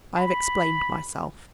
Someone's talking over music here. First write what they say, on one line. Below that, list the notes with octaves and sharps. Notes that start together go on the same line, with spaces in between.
I have explained myself.
B5